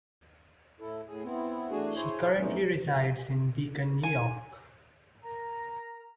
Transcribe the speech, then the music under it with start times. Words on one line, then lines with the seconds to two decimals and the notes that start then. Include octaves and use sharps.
He currently resides in Beacon, New York.
0.80 A2 E4 A4
1.08 A2 G#4
1.23 B3 C4 E4
1.71 E2 A3 D4 F#4 G#4
1.95 E4 G#4 C5 C#5
2.38 E2 E3 A3 C4 C#4 D#4
4.03 G#5
5.23 A#4 A#5